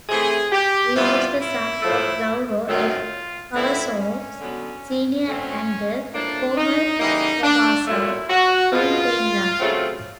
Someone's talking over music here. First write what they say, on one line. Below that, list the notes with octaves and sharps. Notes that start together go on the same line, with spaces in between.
He was the son of Lauro F. Cavazos, Senior and the former Tomasa Quintanilla.
C3 E3 A3 C4 G#4
G4
C3 E3 G3 B3 F4
E4
A2 F3 A3
F#2 D#3 F#3 A3 C4 F4
D3 F3 A3 C4 E4
C#4
D3 F#3 B3
D3 F#3 A3 C4 C#4
A2 F3 A#3 D4
D#4
C#3 E3 G3 A#3 D#4
D4
A#2 F#3 A3 E4
F#4
B2 G#3 B3 F4
C#3 F#3 A3 C4